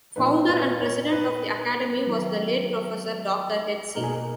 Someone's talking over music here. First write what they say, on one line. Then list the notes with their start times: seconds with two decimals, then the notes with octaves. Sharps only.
Founder and president of the Academy was the late Professor Doctor hc.
0.16 A#2 F3 B3 D#4 B4
0.48 B4
0.80 C#5
1.12 B4
2.05 D#3 F#3 B3
3.95 B2 A#3 D#4 A#4
4.03 G#4
4.13 A#4